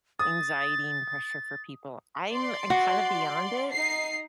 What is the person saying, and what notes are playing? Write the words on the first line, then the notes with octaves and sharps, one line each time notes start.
anxiety and pressure for people. I'm I'm kinda beyond it,
D#6 A6
D5 C6
F#4
D#4 C7